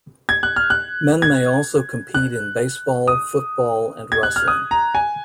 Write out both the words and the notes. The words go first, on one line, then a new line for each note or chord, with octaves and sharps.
Men may also compete in baseball, football, and wrestling.
G#6
F#6
F6
F#6
G#6
F#6
D#6
G#6
F#6
F6
D#6
A#5
G#5